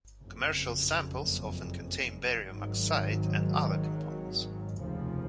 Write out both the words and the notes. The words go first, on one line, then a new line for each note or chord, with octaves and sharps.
Commercial samples often contain barium oxide and other components.
F#1 F2 C#3
G#1 G#2 D#3 F#3
F1 D#2 C#3 F3